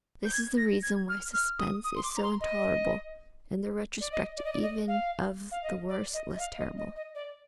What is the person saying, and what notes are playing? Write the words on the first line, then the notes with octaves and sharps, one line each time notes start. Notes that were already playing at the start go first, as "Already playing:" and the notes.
This is the reason why suspense is so intolerable, and the retrospect even of the worst less terrible.
G6
G#6
A#6
G#6
F6
F6
D#6
D#6
C6
D6
A#5
C6
D#5
D5
D#5
D5
D#5
D5
D#5
F5
F5
D#5
D5
D#5
D#5
F5
D#5
D#5
D#5
D5